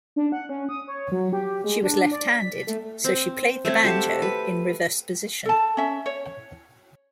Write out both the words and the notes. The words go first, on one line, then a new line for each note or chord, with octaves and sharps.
She was left-handed, so she played the banjo in reverse position.
D4
F#5
C#4
D#6
C#5
F#3
G4
G#3
D4
D5
B6
A3
C4
A3 C4 C#5
F#4 G4 A4
B4
A4 A5
C#4 E5
C#5